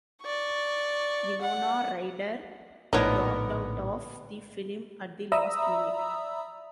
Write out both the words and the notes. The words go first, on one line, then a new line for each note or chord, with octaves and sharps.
Winona Ryder dropped out of the film at the last minute.
D5 C#6
F#5
A#1 A2 D3 B3 D#4 A#4 C#5
D5 E5 A#5 B5 D#6 E6